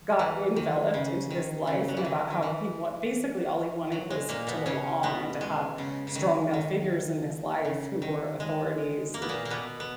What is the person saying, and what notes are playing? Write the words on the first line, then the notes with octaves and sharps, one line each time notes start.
got enveloped into this life and about how he want basically all he wanted was to belong and to have strong male figures in his life who were authorities and
E3
D#3
C#3
D#3
C#3
F#3
E3
D#3
D#3
E3
F#3
G#3
A#2 A#3
B2 B3
C#3 C#4
B2 B3
G#3
C#3
C#3
D#3
D#3
C#3
D#3
G#3
A#3
B3
A#2 A#3
A#3
B2 B3
B3